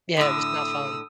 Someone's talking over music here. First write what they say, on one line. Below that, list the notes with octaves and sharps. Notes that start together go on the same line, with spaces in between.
Yeah, it was not fun.
A2 D3 D#6 E6